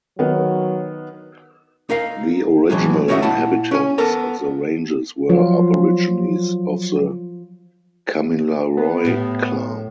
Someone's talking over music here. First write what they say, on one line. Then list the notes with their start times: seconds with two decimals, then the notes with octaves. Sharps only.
The original inhabitants of the Ranges were Aborigines of the Kamilaroi clan.
0.19 D#3 F#3 B3
1.90 D#4 A#4 F5
2.70 A2 E3 F#3 G#3
3.08 C#4 D#4 F#4 C#5 E5
3.22 A#2 E4 F#5 A5
3.71 C#4 G#5
3.98 B3 A4 A#4 A5
5.29 F3 F#3 F4
8.77 B3
9.05 A2 G4